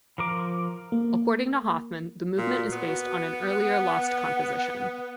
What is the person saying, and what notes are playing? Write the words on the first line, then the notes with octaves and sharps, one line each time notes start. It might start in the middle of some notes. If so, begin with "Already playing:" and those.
According to Hofmann, the movement is based on an earlier lost composition.
F3 A#4 D6
A#3
A#2 F#4
B3
F#5